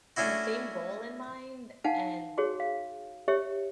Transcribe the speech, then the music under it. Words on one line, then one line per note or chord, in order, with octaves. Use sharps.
the same goal in mind and
A3 C#4 D4 E4 F#4
D#4 F5 F#5 G#5 A5
F#4 G#4 C#5
F5
G4 C#5 E5